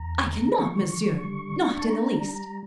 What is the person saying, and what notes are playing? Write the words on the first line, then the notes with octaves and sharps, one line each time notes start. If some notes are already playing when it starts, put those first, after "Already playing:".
"I cannot, monsieur, not in the least."
Already playing: E2 A#5
D3
F3 C#6
D3
G3
D4
A5
D4 A#5
G3